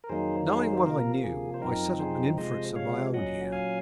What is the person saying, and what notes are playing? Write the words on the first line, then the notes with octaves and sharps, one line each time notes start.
Knowing what I knew, I set up an inference of my own here.
A#4
F2 D#3 F#3 A#3 D#4 G#4 C5
G#4 C5
C5
C3 F3 A#3 A#4
G#4
C5
F#2 F3 C4 D#4 A#4
G#4 C5
C3 F3 G#3 C5 D#5
C#5 F5
A#2 F#3 C#4 D#5 F#5
F5 G#5